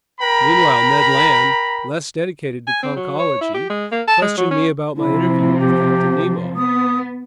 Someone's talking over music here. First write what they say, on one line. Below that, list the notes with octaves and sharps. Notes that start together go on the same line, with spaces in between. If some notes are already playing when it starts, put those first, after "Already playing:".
Meanwhile Ned Land, less dedicated to conchology, questioned me about my interview with Captain Nemo.
A#4 G5 A#5 B5
G#5
C4
F#3
C#5
E4
G4
G#3
A#3
A5
G#3
F#3
C#4
C3 F3 E4
G4
B3 D#6